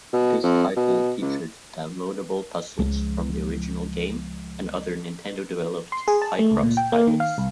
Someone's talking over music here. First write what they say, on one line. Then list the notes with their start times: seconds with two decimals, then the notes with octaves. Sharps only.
This title featured downloadable puzzles from the original game and other Nintendo-developed "Picross" titles.
0.13 B2
0.43 F2
0.76 B2
1.21 C#2
2.79 C#2 F3
5.92 C6
6.08 G#4
6.22 A5
6.39 A3
6.52 C#2
6.63 A#2
6.77 G5
6.92 A#3
7.07 D#3
7.20 F5
7.38 C2